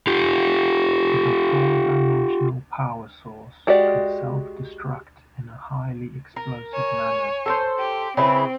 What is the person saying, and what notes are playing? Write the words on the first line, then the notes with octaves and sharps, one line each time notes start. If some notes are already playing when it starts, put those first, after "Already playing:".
The four-dimensional power source could self-destruct in a highly explosive manner.
F4 G4
G#3 F#4 G4 D5
A#4
C#5 G#5
A4 A#4 C5
G4
C#3 C4 E4 B4